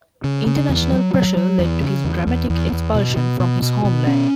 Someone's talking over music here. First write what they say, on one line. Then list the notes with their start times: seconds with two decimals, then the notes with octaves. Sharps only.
International pressure led to his dramatic expulsion from his homeland.
0.24 C#3
0.46 C#3
0.69 E2
0.92 F#3
1.14 F#3
1.37 F#3
1.59 E2
1.82 C#3
2.04 E2
2.27 E2
2.50 E2
2.72 E2
2.94 B2
3.17 B2
3.40 B2
3.62 B2
3.84 B2
4.07 C#4